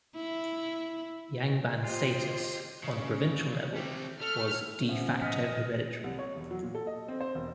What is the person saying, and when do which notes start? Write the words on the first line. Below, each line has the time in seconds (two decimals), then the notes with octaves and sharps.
Yangban status on a provincial level was "de facto" hereditary.
0.15 E4
1.83 F4 G4 C5 D#5
2.84 C#3
3.76 G3 C4
4.21 A3 F6
4.89 C3 B3 C#4 E5
5.22 A2 F3 D#5 F6 B6 C#7
6.04 C2
6.19 C#5
6.36 E1
6.51 F#3
6.63 A#2
6.75 A4
6.87 D#5
7.08 C4
7.21 C5
7.35 E1